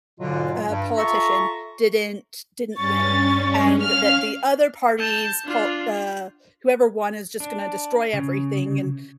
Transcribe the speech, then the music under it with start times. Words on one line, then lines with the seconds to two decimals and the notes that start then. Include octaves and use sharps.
u uh, politician didn't didn't win and that the other parties pol uh, whoever won is just gonna destroy everything, and
0.19 G#2 B2 D3 F#3 F4
0.67 G2
0.97 F4 A4 E5 A#5 C#6
2.76 G2 C#4 C#6 A6
3.81 C#4 F5 F6
4.98 A5 G6
5.44 D4 F4
7.40 D4
8.13 C#3